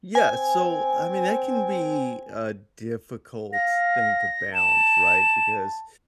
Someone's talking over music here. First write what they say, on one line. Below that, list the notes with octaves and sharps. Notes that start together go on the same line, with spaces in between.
Yeah, so, I mean, that can be a difficult thing to balance, right? Because
C4 G#5
F5 A#6
A5 E7